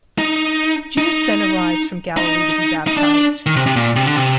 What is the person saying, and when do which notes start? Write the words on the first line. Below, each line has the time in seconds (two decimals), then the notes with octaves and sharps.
Jesus then arrives from Galilee to be baptized.
0.18 D#4
0.98 D#4
2.17 D#4
2.87 D#4
2.97 D4
3.46 D#3
3.56 C3
3.66 C3
3.76 A#2
3.96 C3
4.06 D3
4.16 C3